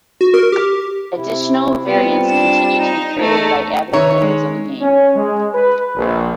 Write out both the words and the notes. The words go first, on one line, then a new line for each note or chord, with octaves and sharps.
Additional variants continue to be created by avid players of the game.
F#4
A#4
G4
C3 E4
G3 B3 C4 F4
D4 E7
D#4
E2 A3 D#4
D#3 B4 C#5 E5 A#5
G#3
C#4
G#3
B4
A#1